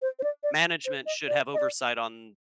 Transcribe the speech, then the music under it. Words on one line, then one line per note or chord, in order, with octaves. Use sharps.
Management should have oversight on
C5
C5
D5
D5
C5
D#5
D5
D#5
D5